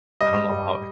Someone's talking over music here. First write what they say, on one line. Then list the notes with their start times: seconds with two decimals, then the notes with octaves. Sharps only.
I don't know how I"
0.21 G3 D#5
0.50 G3